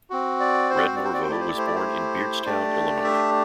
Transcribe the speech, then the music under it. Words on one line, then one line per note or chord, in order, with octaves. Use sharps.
Red Norvo was born in Beardstown, Illinois.
C4 F#4
D5
C5
D5
C5
D5
C5
D5
C5
A3 E4 G4 D5
C5
D5
C5
D5
C5
A3 D4 G4 D5
E5